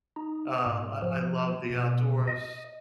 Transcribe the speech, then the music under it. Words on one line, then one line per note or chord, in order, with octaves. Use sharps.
uh, I I love the outdoors,
D#4
G#2
F3
B2
D#5